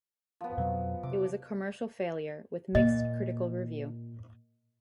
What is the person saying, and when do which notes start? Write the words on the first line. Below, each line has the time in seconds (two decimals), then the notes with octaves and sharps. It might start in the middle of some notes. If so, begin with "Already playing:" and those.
It was a commercial failure, with mixed critical review.
0.41 F3 B3
0.58 F2 B2 F#3
1.03 C3 D6
2.75 A#2 D#5